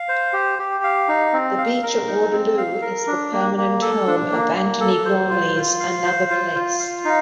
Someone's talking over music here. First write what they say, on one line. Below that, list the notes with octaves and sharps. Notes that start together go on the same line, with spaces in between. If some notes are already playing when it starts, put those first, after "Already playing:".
The beach at Waterloo is the permanent home of Antony Gormley's "Another Place".
Already playing: F5
C5
G4
G4
F5
D#4
C4
F5
A#4
D#4
C4
F5
A#4
D4
A#3
A#3
A4
D4
A#3
A#3
A4
C5
F4
F4
F5
C5
F4
F4
F5
D#4